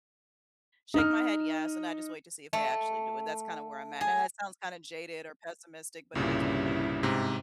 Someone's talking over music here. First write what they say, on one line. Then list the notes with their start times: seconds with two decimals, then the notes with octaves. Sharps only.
shake my head "Yes," and I just wait to see if they actually do it, that's kinda where I'm at, and that sounds kinda jaded or pessimistic, but it is what it is.
0.94 D#4 F6
2.53 A3
4.01 G#4
6.15 C2 G2 A#2 C#3 C#4 E4
7.03 G#2 C3